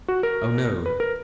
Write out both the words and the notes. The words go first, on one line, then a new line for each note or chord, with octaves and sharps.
"Oh, no."
F#4
A#4
B4
A#4